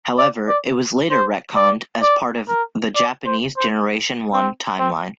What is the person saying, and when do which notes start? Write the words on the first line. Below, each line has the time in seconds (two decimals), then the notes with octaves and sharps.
However, it was later retconned as part of the Japanese Generation One timeline.
0.18 D5
0.48 D5
1.11 C5
1.56 D5
2.02 D5
2.48 A#4
2.95 D5
3.26 C5
3.57 C5
4.33 C4
4.79 C4